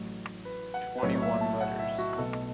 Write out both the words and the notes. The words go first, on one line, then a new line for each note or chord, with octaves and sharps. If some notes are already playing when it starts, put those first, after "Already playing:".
Twenty-one letters.
Already playing: A1 A2 F#3
B4
F#5
B4
B1 A2 F#3 A3 C#5
C#5
E5
A5
F#5
E5
F#4
B1 B2 A3 A4